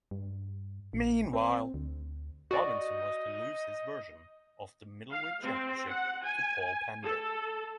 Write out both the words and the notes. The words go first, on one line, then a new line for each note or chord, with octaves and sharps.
Meanwhile, Robinson was to lose his version of the middleweight championship to Paul Pender.
G2
A#1
C4
D2
F#4 D5 D#5
F5
C4
F#5
G#5
A4